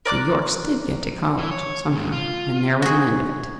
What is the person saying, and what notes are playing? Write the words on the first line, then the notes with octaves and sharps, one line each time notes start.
The Yorkes did get to college, somehow, and there was an end of it.
A#4 D5 D6 F#6
E3
C#5
D#2 G#3
F4
F#4 G#4